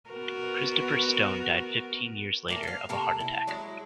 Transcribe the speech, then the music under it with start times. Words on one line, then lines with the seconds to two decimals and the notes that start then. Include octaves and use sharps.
Christopher Stone died fifteen years later of a heart attack.
0.10 B3 F#4 A#4
2.48 A3 A#3 G#4
2.63 E5 F5
2.89 C3 A#3 A4 A#4
3.20 E4
3.47 F#3 G#3 E4